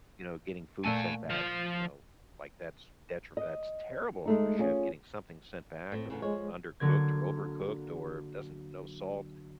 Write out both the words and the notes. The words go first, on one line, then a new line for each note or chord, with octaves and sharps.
you know, getting food sent back, you know, like, that's detriment That's terrible for a chef getting something sent back of undercooked or overcooked or doesn't no salt,
A#2 A3 F#5 G#5 A5
F3 F5
D#5
G#3 A3 D#4
C#4 F4 G#4
A2 C4
E2 A2 C#3
F3 G#3 C#5
D3 F#3 A#3 G#6